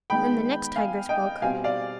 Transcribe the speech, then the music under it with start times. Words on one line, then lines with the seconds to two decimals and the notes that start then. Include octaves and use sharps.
Then the next tiger spoke.
0.10 D#3 G#3 B3 G5 B5
0.76 F5 G#5
1.09 D#5 G5
1.42 B2 G3 C4 F5 G#5
1.64 D5 F5